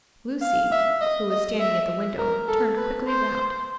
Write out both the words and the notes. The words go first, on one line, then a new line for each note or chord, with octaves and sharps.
Lucy, who was standing at the window, turned quickly round.
F5
E5
D#5
D#5
E5
A#4
A4
B4
C5